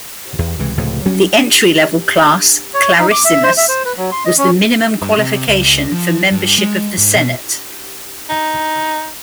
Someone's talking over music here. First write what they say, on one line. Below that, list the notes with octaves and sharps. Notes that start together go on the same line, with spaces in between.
The entry level class, "clarissimus", was the minimum qualification for membership of the Senate.
E2
C#2 C3 E3 G#3
C#2 A2 C3 F3
D2 F#3 G3 C#4
C#5
D#4
D6
E5
C5
E5
C5
B4
F#3
C6
D#5
C#4
G2
C3
C#2
F3
G2
G#3
G#2
B2
D#4